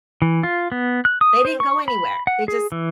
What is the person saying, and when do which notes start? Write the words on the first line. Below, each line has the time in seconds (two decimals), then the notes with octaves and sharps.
they didn't go anywhere, they just
0.22 E3
0.43 F4
0.72 B3
1.05 F#6
1.21 D#6
1.45 C5
1.60 C#6
1.88 B5
2.27 F#5
2.48 G#4
2.72 E3